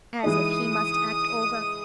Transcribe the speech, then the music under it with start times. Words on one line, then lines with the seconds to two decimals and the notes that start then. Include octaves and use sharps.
'As if he must act Ogre.
0.23 E3 G#3 D#4 D#6